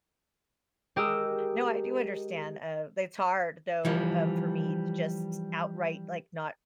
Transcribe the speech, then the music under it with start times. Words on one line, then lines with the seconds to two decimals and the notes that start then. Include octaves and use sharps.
No, I do understand, uh, it's hard, though, um, for me to just outright, like, not
0.96 G#3 G4 A#4 D#6 E6
3.85 E3 F3 G3